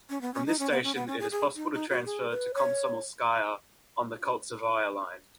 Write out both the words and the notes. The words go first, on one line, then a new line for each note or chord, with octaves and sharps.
From this station it is possible to transfer to Komsomolskaya on the Koltsevaya Line.
C#4
B3
C#4
D#4
C#4
B3
C#4
B3
C#4
G#4
G#4
D#4
D#4
F#4
G#4
B4
C#5